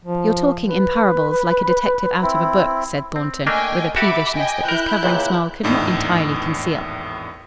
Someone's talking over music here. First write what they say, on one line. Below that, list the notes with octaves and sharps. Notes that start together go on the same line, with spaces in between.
"You're talking in parables, like a detective out of a book," said Thornton, with a peevishness that his covering smile could not entirely conceal.
F3
B4
C4 E4
C4
A3 A#3 D4 D#5 G5 G#5
F#4 G4 A4 E5 B5 D6
D#5 G5 G#5
E4 A#4 F#6 G6
C#2 A#2
G#1 E2 A2 D4 D#4